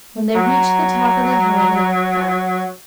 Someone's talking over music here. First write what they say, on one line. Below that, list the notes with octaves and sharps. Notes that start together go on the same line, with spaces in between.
When they reached the top of the hill they looked back.
F#3 A#5